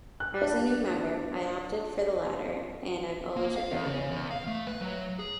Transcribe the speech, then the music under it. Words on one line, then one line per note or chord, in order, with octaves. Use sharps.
As a new member, I opted for the latter and I've always regretted it.
F#6
D4
A#3
F5
E2
C#3
E2
F5
A3
B4
F#3
G#4